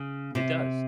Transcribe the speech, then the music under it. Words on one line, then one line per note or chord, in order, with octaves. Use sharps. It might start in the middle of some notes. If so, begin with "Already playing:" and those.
It does.
Already playing: C#3
C3